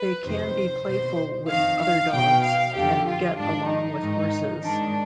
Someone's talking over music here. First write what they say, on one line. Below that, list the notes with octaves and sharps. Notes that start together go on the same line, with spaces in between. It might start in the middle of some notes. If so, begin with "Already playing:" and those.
They can be playful with other dogs, and get along with horses.
Already playing: B4
F2 C3 D#3 C5
B2 C5
F2 D#3 F5
F5
B2 G5
F5
F2 D3 F3 G4
F4
G#2 F3 D4
D#4
G#2 D#3
G#2 D#3 D4